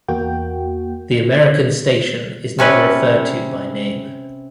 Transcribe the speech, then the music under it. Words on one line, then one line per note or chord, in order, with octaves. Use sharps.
The American station is never referred to by name.
E2 A#3 F#4 G5
C3 C#4 B4